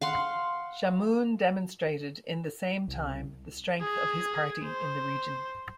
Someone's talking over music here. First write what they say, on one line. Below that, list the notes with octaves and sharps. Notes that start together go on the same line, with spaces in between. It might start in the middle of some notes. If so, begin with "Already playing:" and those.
Chamoun demonstrated in the same time the strength of his party in the region.
F5 F#5 C6
C2
G#4
C5